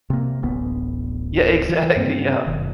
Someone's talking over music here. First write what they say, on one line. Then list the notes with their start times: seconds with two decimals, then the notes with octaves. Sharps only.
Yeah, exactly, yeah,
0.10 C3 A#3
0.43 D1 A1 D2 B3
1.69 E3
1.96 G2 A#3 C4
2.46 F#1 B2 D#3